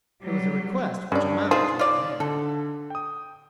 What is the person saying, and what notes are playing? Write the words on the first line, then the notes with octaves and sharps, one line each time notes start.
It was a request which amounted to a command.
F#3 G3
G2 C#4 D5
D#4 F4 G#4 C5
F4 D5
D3 A4
G5 D#6